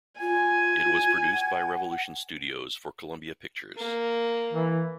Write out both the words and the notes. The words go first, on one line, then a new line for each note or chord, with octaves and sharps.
It was produced by Revolution Studios for Columbia Pictures.
F4 G#5
F#5
A#3
E3